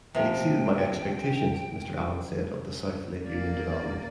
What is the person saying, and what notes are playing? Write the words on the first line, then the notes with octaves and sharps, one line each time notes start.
"It's exceeded my expectations," Mr. Allen said of the South Lake Union development.
C3 F3 G5
A#3 D5